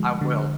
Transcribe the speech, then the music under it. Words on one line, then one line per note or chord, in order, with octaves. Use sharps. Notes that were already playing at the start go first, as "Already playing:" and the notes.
I will.
Already playing: D3 F3 G#3
D3